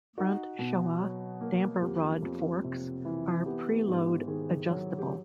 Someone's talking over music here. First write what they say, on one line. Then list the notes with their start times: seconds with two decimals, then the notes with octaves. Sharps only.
Front Showa damper-rod forks are preload adjustable.
0.17 D#4 F#4
0.59 B2
1.00 F#3
1.41 A#3
1.82 F2 G4
2.22 F2
2.64 C3
3.05 E3
3.46 B3 G4
3.88 G#2
4.27 D#3 G#4
4.69 F#3
4.98 G4